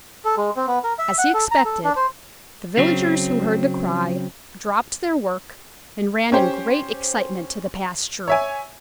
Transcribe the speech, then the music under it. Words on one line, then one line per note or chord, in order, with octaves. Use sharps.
As he expected, the Villagers who heard the cry dropped their work and ran in great excitement to the pasture.
A4
G#3
C4
B3
A#4
E5
F#5
A4
A#5
A4
D4
C5
C#3 F#3 C4
C#4 G4 C5
C#5 E5 G#5